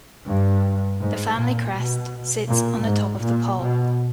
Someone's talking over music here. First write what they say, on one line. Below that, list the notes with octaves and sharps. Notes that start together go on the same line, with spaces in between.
The family crest sits on top of the pole.
G2
G#2
A#2
B2
A#2
G#2
A#2
B2